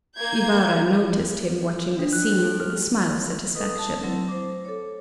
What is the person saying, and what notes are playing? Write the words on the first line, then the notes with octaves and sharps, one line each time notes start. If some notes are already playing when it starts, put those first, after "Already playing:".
Ibarra noticed him watching the scene with a smile of satisfaction.
A#3 G6 G#6
D4
F#6
G4
A4
F6
A4 B4 D#5 D#6
A5
F#3 A3 C4 E4
C5 D6
A4 C#5